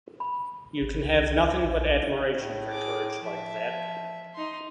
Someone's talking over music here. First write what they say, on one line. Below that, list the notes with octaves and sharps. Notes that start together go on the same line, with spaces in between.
You can have nothing but admiration for courage like that.
B5
G#1
C2
C#2
A#1
A2
G#4 D6
F3 E5
D#4 C6